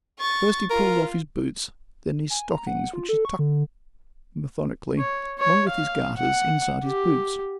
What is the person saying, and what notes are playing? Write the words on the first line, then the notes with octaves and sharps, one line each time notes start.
First he pulled off his boots, then his stockings, which he tucked methodically, along with his garters, inside his boots.
C#6 A6
F4 A#4
G#5
A#5
F#5
F4
A4
C#6
D3
C#5
C#5
F5
F#5
G4